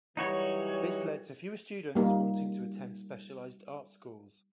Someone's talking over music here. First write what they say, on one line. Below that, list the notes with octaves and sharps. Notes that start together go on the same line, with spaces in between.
This led to fewer students wanting to attend specialised art schools.
E3 F#3 G3 D#4 F#4 C#5
G3 A#3 D#4